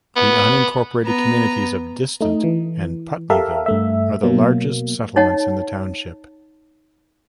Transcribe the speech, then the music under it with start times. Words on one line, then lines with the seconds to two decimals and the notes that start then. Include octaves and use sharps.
The unincorporated communities of Distant and Putneyville are the largest settlements in the township.
0.16 B3
1.04 B3 A#5
2.20 A3 D#4
2.44 E3
3.30 G4 A4 A#4 E5 F5
3.66 G2 A3 E5
4.23 B2 F#3 A#3
5.16 D#4 C#5 D#5 F#5 A5